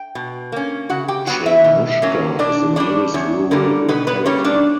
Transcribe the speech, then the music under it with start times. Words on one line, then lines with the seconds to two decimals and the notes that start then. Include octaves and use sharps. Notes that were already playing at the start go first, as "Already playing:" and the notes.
Chernushka is the nearest rural locality.
Already playing: G5
0.15 B2
0.52 A#3 C#4
0.90 C#3 F#4 F#5
1.08 G4 G5
1.27 F#3 B3 F#4 F#5
1.46 E4 E5
1.64 B2
2.02 F#3 A#3 C#4
2.39 B2 D4 D5
2.76 G3 A#3 C#4 D4 D5
3.14 E2 C#4 C#5
3.51 D3 G3 A#3 A#4
3.88 B2 B3 B4
4.07 B3 B4
4.26 G3 A#3 C#4 C#5
4.44 D4 D5